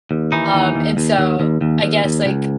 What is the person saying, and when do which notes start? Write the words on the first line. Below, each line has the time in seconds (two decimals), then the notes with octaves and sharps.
um, and so, I guess, like
0.11 D#2
0.32 E3 D#4
0.54 D#2
0.76 D#2
0.97 D#2
1.19 D#2
1.40 D#2
1.61 D#2
1.82 D#2
2.04 D#2
2.26 C#2